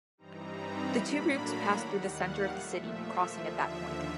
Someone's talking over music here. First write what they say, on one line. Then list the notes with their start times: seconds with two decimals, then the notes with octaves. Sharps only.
The two routes pass through the center of the city, crossing at that point.
0.18 G2 E3 G3 C4 D#4 A#5
0.56 B5
0.95 A2 F#3 A#3 D4 B5
1.33 A#5
1.72 D#2 D#3 G3 F#5
2.11 F5
2.49 A#2 F3 A3 E5
3.26 D#2 D3 F3
3.65 E5